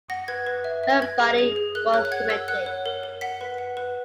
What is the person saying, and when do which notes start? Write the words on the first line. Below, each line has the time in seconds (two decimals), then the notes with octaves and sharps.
Her body was cremated.
0.10 F#5 A#6
0.28 B4 G#6
0.47 B4
0.64 E5
0.83 E5
0.91 A#6
1.01 B4 G#6
1.20 G#4
1.38 G#4
1.56 G#4
1.75 A#4 F#6
1.94 C#5 F#6
2.05 F#6
2.12 F#5 G#6
2.30 A#4 E6
2.48 F#5 F#6
2.66 C#5
2.86 A#4
3.03 A#4
3.21 F#5 B6
3.41 B4
3.58 F#5
3.77 B4